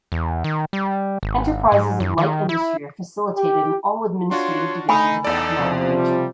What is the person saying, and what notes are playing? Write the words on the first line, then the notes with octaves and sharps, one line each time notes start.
Enterprises of light industry are facilitated in all administrative divisions of the economic region.
E2
D#3
G3
G#1
G#2
F#2
D#3
E4
G4
D4 F4 F#4 C#5 C6
A3 D#4 G#5 B5
E2 D#4 A4 D5
C3 F3
G3